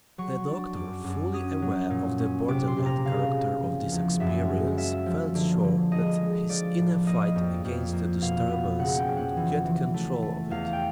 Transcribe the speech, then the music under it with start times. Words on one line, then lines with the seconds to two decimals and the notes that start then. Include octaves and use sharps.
The doctor, fully aware of the borderland character of this experience, felt sure that his inner fight against the disturbance would get control of it.
0.18 F#3 C#6
0.48 D4
0.76 F#2 D6
1.04 F#2
1.33 C#4 D#6
1.62 F#3
1.90 A#2
2.19 C#4
2.48 C3 D6
2.68 C6
2.77 C3
2.86 A#5
3.05 C#3 F5
3.34 A#3
3.63 F3
3.92 E2
4.20 F#2 E5
4.49 G#3
4.77 A#3 E5
5.06 F3
5.35 D3
5.64 D3
5.92 G#3 D#5
6.21 G#3
6.49 F3 D5
6.79 A2
7.07 A#3 D#5
7.36 F2
7.65 F2
7.93 A#3
8.22 B2 F5
8.51 B3
8.79 C#3 F#5
8.98 G5
9.08 F2
9.17 F#5
9.37 E3
9.65 E3
9.94 A3
10.22 A3
10.51 E2 F5
10.73 G5